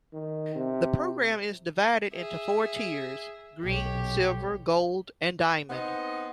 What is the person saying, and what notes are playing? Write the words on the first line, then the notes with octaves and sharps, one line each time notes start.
The program is divided into four tiers: Green, Silver, Gold, and Diamond.
D#3
C3
G#4 E5
B1 G4 C#5
B3 C4 D#4 D#5